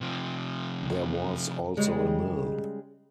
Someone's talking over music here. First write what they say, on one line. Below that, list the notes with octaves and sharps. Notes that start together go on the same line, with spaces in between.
There was also a mill.
C3 F3
C#3 G3 G#3